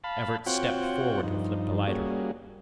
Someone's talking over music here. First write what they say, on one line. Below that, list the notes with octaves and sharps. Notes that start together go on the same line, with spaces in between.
Everts stepped forward and flipped a lighter.
F5 A5 B5
C4 F4 F#4 C#5 F#5 G5
G2 F3 D#4
G3 A#3 C#4 F#4 G#4